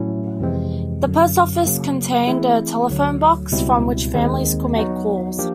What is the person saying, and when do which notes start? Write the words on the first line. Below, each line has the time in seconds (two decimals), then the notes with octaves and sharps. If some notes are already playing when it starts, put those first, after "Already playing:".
The post office contained a telephone box from which families could make calls.
Already playing: A2 F#3 A3 C#4 E4
0.40 F2 C3 E3 G#3 C4
1.03 F#2 D3 F#3
1.65 C#3 F#3 A#3
2.27 E3 A3 C4 E4 G#4
2.90 D2 D3 F#3
3.52 C#2 B2 G3 C4 E4
4.14 D#2 D#3 G#3 C4
4.76 F#3 B3 D#4 F#4
5.38 F3 A#3 D4 G4